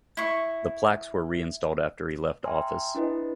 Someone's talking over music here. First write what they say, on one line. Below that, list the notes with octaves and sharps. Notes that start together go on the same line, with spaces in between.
The plaques were reinstalled after he left office.
E4 C#6
E5 G5 G#5 A#5 C6 F6
D4 E4 B4 C5 D#5